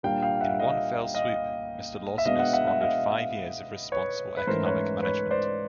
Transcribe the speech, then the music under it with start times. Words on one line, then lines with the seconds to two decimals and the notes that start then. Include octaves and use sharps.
In one fell swoop Mr Lawson has squandered five years of responsible economic management.
0.03 A#2 G3 A#3 D4 F5 G5
0.22 F5 G5
0.41 E5 F#5
0.59 D#5 F5
1.14 D#5 F5
2.18 E5
2.25 B2 G#3 B3 D4 D#5 F5
2.39 E5 F#5
2.53 E5 F#5
2.67 E5 F#5
2.81 D#5 F5
3.92 B4 C#5
4.37 B4
4.47 G#2 E3 A3 C#4 A#4 C5
4.66 B4 C#5
5.03 B4 C#5
5.31 C5 D5